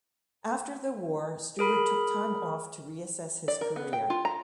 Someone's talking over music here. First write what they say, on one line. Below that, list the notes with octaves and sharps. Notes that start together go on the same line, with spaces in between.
After the war, Stewart took time off to reassess his career.
G#4 A#4 B5
D5
A#4
B3
G5
F4
A#5